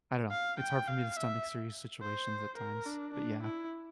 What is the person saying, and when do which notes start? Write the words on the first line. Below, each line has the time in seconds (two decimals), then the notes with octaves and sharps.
I don't know. It's hard for me to stomach serious situations at times. But, yeah
0.30 F5
0.60 G5
0.88 F5
1.16 E5
2.01 C5
2.57 A#4
2.86 D4
3.14 D4
3.43 E4